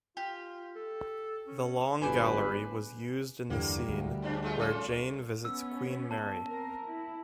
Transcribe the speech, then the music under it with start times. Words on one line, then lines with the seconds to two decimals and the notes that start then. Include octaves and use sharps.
The long gallery was used in the scene where Jane visits Queen Mary.
0.17 F4 G4
0.76 A4
1.47 C#4
2.02 G1 F#4 B4 C5 D5 G#5
3.50 E2 G2 D3 G3 A#3
3.89 D2
4.22 G2 C#3 D4
4.42 G#3 A3 F4
4.60 C#4 F4 A4
5.45 B3 C#4 E6
6.11 A5
6.47 C4 A#4
6.85 E4